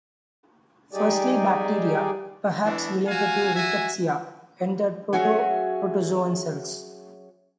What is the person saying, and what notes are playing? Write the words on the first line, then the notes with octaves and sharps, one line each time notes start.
Firstly, bacteria, perhaps related to "Rickettsia", entered proto-protozoan cells.
G3 D#4 G4 G#4 D5
E3 A3 B3 D4
F#4 F5 G#5
F#4 E5 G#5
F#3 C#4 F#4 G#4 E5